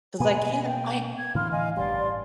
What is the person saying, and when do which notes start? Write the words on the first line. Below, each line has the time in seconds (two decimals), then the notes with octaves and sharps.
'Cause I can't, I
0.20 B2 A#3 B3 B4 G#5
0.67 G5
1.19 G#6
1.35 A2 D3 E3 F5 C6 F6
1.52 D#5 F5 G#5
1.77 A1 G2 G3 D5 F5 C6